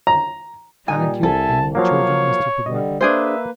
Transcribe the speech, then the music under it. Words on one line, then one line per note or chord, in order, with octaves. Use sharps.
'Haven't you ANY children, Mr. Peggotty?'
A#5
A#2 G3 D#4 G#5
C2 A4 E5 G#5 A5
F3 F#3 A#3 C#5 F5
D3 G3 D#5
A#3 D4 G#4 B4 C5 E5